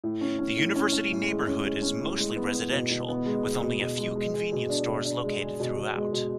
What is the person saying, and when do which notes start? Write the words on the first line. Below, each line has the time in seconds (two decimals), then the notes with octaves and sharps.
The University Neighborhood is mostly residential, with only a few convenience stores located throughout.
0.04 A2
0.21 C#4
0.39 C#4
0.57 A2
0.76 C#4
0.92 C#4
1.11 A2
1.28 G#3
1.47 C#4
1.64 G#3
1.82 C#4
2.01 A2
2.18 G#3
2.36 B3
2.55 B3
2.72 B2
2.91 B2
3.09 B3
3.26 G#3
3.44 G#3
3.62 B2
3.80 B2
3.98 G#3
4.16 G#3
4.34 G#4
4.52 B2
4.69 D4
4.87 B2
5.05 D4
5.24 G#3
5.42 G#4
5.60 B2
5.77 B2
5.96 G#3
6.13 B2